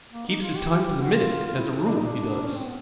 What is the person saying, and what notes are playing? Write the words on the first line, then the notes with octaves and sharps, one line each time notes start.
"Keeps his time to the minute, as a rule, he does."
A#3
D#4
F4
G4
G4
F#4
F4
F4
E4
D4
D#4
D4
C#4
C4
B3